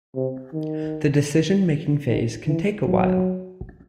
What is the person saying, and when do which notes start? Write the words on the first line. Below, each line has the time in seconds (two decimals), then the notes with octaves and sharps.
The decision-making phase can take a while.
0.15 C3
0.53 D#3
2.08 D#3
2.47 E3
2.86 F#3